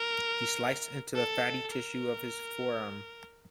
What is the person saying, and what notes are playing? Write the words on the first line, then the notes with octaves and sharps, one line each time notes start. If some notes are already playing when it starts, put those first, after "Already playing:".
He sliced into the fatty tissue of his forearm.
Already playing: A#4
A4
A#4